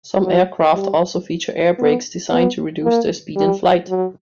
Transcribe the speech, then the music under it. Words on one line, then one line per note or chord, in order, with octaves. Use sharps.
Some aircraft also feature air brakes designed to reduce their speed in flight.
F#3
G3
B3
B3
A#3
G3
F#3